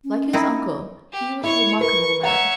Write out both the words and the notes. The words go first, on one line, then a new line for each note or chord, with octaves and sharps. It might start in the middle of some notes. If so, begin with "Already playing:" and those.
Like his uncle, he was a remarkable man.
C#4
C4 D#4 E4
G4
E4 C#5 E5 C#6
A#4 B4 C#6
C#5 E5 F#5 A#5